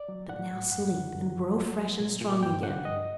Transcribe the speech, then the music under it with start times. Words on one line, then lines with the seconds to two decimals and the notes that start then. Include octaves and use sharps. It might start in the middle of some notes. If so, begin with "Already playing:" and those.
But now sleep and grow fresh and strong again.
Already playing: D5
0.09 F#3
0.29 A2 F#5
0.51 A2
0.72 F#2 F#5
0.93 D3
1.14 F#2
1.36 F#3
1.57 F#3
1.78 F#3
2.00 A#2
2.21 A#2
2.43 G2 G5
2.63 D3 F#5
2.85 G2 D#5